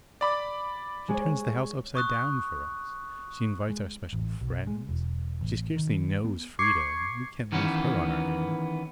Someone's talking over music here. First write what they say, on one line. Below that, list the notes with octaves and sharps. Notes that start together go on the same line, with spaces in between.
She turns the house upside down for us; she invites our special friends--she scarcely knows Frieda, and we can't leave her on her hands.
D5 B5 D6
G#3 G#4 C#5
C#6 D#6 F#6
G#3
A1
B1
G#3
E1
A1
D#3
B3
C#6 D6 G#6 C7 C#7
D#3 E3 B3 C#4